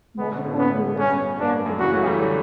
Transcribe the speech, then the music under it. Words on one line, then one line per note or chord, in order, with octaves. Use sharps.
Multiple units can be combined.
B2 D3 B3
B2 D3
A2 C#3
B3
G2 B2 C#4
G2 D4
F#2
C#3 E3 F#4
F#3 A3
E3 G3
D3 F#3